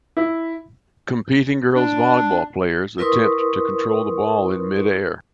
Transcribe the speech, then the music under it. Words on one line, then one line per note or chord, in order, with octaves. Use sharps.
Competing girls volleyball players attempt to control the ball in midair.
E4
D4
E4 A#4 B4 C6 C#6 D#6